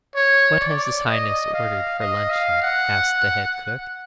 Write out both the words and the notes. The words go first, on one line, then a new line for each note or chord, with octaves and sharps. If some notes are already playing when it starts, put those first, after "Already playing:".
'What has his highness ordered for luncheon?' asked the head cook.
C#5
D5
D#5
F5
D#5
F5
F#5